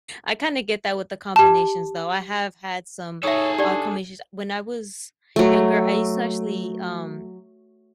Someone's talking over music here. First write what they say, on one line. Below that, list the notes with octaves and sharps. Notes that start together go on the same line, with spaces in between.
I kinda get that with the combinations though. I have had some odd combinations. When I was younger, I used to actually, um
G4 A5
D#4 G#4 A4 C#5 E5 D#6
D4 G4 D5
F#3 A3